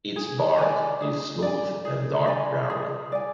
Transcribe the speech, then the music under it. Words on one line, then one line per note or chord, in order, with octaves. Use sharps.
Its bark is smooth and dark brown.
G#4
D5 G#5
G#4
D5 G#5
G#4
D5 G#5
G#4
D5 G#5